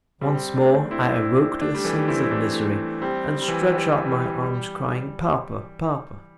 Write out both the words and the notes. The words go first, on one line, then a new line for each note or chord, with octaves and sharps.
Once more I awoke to a sense of misery, and stretched out my arms, crying, "Papa! papa!"
G3 C4
A3 D4
C4 E4
D4
C4 E4
A3 D4
G3
E3 A3
G4
C4 E4
A3 D4
G3 C4
G3
E3
G3
G3
G3